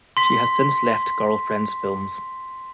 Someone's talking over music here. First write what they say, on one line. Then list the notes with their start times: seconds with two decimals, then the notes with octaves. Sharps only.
She has since left Girlfriends Films.
0.17 C6 B6